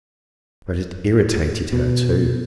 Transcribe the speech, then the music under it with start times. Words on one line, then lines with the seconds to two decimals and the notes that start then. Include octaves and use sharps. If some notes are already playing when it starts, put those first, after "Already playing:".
But it irritated her too.
1.73 B2